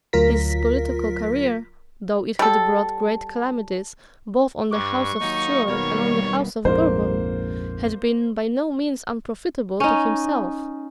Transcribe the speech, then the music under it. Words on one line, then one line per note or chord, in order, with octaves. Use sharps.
His political career, though it had brought great calamities both on the House of Stuart and on the House of Bourbon, had been by no means unprofitable to himself.
D2 F#3 F4 A#4 A#6 B6
G3 A4
G2 C#6 D6 F#6
D#2 F#3 D#4
B2 D#3 G3 A#4 C#5 F6
A#1 F2 G#2 A#3 C5
C#4 D#4